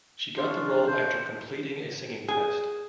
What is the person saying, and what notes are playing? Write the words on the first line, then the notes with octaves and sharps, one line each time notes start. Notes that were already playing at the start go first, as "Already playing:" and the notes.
She got the role after completing a singing test.
C#4 D4 F4
B2 C5
G#4